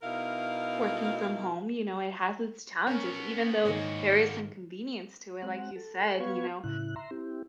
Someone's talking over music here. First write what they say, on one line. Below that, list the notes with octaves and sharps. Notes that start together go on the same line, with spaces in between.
working from home, you know? It has its challenges even though there is some convenience to it, like you said, you know,
B2 D#4 E4 A#4 F5
B3 C#4 A#4 C#5 G#5
G#2 D#3 A#3 F#4 C#5 D#5 G#5
G#3 C4 F#4 F#5
A4
B3 F#4 B4 F5 C#6 G#6
A2 C#3 E4 F#6
E5 A#5 C6
C4 E4 G4